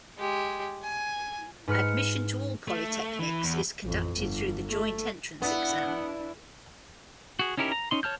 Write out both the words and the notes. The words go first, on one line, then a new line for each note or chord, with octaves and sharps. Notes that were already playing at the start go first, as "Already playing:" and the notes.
Admission to all Polytechnics is conducted through the Joint Entrance Exam.
G#3 G4
G#5
G#2 B4 F6 C#7
A3
E3
E2
A1 F2
G1
A3
B3 D4 E4 F#5
F#4 G#4
C#4 D#4 E4 G4 A#4
A#5
C#4 D#4 C6
C#5 A5 F6 G6